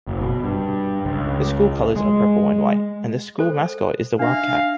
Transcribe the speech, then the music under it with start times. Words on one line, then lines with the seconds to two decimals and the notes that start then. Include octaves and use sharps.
The school colors are purple and white and the school mascot is the Wildcat.
0.07 F#1
0.21 B2
0.44 G2
1.05 C#2
1.96 G#3
3.39 A4 C5
4.19 D4 E5 F5